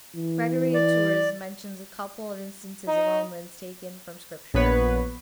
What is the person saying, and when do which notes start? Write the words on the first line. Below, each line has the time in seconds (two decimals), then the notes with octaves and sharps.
Gregory of Tours mentions a couple of instances of omens taken from Scripture.
0.15 E3
0.74 D5
2.88 D#4
4.54 A#1 B3 B4 C#5